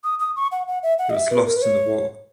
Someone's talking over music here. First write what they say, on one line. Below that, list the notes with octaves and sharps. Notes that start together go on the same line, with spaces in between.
It was lost in the war.
D#6
D#6
C#6
F#5
F#5
E5
F#5
D#5
E5
B4
A#4
B4
C#5